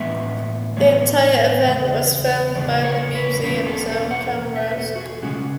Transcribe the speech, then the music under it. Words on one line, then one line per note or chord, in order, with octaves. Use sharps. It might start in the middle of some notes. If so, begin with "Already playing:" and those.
The entire event was filmed by the museum's own cameras.
Already playing: A2 E3 G#3 B3 E5
A2 E3 G#3 B3 C#5
E2 C#3 G#3
E2 C#3 G#3 D5
C#5
B4
E2 B2 G#3 C#4 B4
A4
A4
F#5
E2 B2
E5
B4
A4
F#4
G#4
C#3 G#3 C#4 F#4